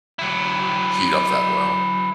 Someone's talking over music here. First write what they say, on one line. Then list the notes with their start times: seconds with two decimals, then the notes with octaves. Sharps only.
heat up that well.
0.19 F#3 E4